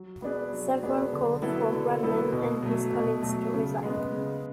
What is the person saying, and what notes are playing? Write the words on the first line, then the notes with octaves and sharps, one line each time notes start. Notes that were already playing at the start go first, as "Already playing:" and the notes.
Several called for Bradman and his colleagues to resign.
Already playing: F#3
B3 D4 G#4 B4
F#3
B3 D4 G#4 B4
D3
F#3 B3 E4 A4
D3
F#3 B3 E4 A4
B2
F#3 A3
B2
F#3 A3
C#3
G#3 B3
C#3